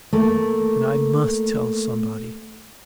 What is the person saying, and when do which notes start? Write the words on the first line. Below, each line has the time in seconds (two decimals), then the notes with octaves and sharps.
And I MUST tell somebody!
0.13 A3 A#3